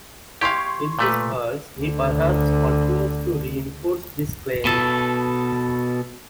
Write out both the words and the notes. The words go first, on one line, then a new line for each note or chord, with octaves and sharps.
In this verse he perhaps continues to reinforce this claim.
G4 F5 C6 C#6 G#6
A#2 A3 B4
D2 D3
B2 A4